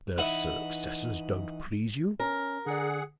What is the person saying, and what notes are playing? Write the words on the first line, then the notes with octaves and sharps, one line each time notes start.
"Their successors don't please you?"
E3 D#4 B4 E5 F#5
C#4 A#4
D3 G#4 D5 F#5